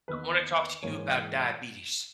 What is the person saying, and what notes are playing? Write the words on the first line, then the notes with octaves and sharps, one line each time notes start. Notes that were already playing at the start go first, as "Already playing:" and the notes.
"I wanna talk to you about diabetes."
E2 D#3 A#3 D#4 B4
G#2 E3 A#3 C#5
D#5